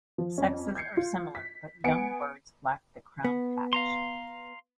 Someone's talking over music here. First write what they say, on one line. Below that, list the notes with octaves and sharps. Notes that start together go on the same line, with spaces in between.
Sexes are similar, but young birds lack the crown patch.
F3
F2 C#4
G6 G#6 C7 C#7
F4
B6
B3 G#5 C#7 D7
B3
F5 A#5 C6